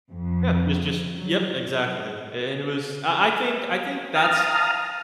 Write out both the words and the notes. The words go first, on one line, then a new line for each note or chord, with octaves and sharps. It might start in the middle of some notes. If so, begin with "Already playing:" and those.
Yeah, it's just Yep, exactly, a and it was I I think I think that's
F2
F#3
F5 A5 A#5 D#6 F6